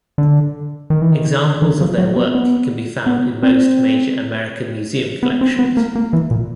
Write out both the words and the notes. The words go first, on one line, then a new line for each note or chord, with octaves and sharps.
Examples of their work can be found in most major American museum collections.
D3
D#3
E3
D#3
E3
F3
F#3
B3
B3
B3
C4
B3
C4
B3
A#3
A#3
E3
A#2